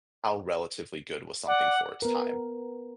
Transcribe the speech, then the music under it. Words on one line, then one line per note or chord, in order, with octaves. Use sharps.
"How relatively good was something for its time?"
D5 F#5
B3 A#4